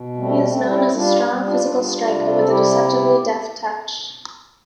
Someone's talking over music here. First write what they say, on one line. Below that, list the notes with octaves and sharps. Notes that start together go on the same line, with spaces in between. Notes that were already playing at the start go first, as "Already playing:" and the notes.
He is known as a strong, physical striker with a deceptively deft touch.
Already playing: B2
G3 A3 C4
A3 C4
G3
C4 E4
G3 D4 F4
G3
D4 F4
G3
C3
A4
G3 E4 G4